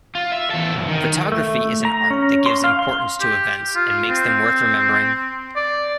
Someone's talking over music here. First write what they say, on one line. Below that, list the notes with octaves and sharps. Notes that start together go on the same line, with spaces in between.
Photography is an art that gives importance to events and makes them worth remembering.
F4
E5
E2 A4
C2 F#2
D#3
A3
A#5
C#4
C6
F5
C6
G4
F4
C4
D5